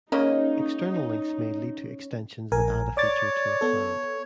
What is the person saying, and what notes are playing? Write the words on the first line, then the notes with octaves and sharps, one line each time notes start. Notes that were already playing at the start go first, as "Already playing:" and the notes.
External links may lead to extensions that add a feature to a client.
C#3 A#3 C#4 D#4 C#5 D#5
A#1 A#4 G#5
C#5 D5 D6 A6
B3 A4